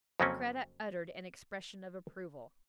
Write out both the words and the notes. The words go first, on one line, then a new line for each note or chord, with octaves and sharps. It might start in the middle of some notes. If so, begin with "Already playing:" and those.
Kreta uttered an expression of approval.
F2 C#3 F#3 A#3 C4 C#4